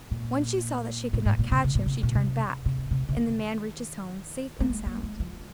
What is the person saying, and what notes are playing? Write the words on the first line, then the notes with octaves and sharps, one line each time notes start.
When she saw that she could not catch him, she turned back, and the man reached his home safe and sound.
A#2
A#2
G#2
A#2
C3
C3
A#2
C3
A#2
C3
C3
C3
C3
D#3
A#3
G#3
A#3
G#3
F3